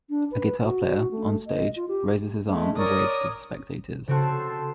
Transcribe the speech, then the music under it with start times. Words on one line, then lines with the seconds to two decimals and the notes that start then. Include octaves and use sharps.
A guitar player, on stage, raises his arm and waves to the spectators.
0.10 D4
0.31 B4
0.64 F#4
1.11 A3
1.47 D#5
1.76 F4
1.88 G4
2.47 G#3 A3
2.78 A#4 C#5 D5 D#6
4.08 C#3 C4 F#4 A4 C5